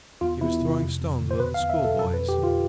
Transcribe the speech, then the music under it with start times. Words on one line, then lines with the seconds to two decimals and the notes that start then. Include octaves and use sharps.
He was throwing stones with other schoolboys.
0.21 E2 F4
0.41 E2 E4
0.61 C3
0.81 F2
1.00 F2
1.20 D3
1.31 C5
1.39 E2 B4
1.54 F5
1.60 E2
1.70 E5
1.79 B2
1.84 A4
1.99 F2 A4
2.14 B4
2.18 F2
2.29 G4
2.38 D3 F4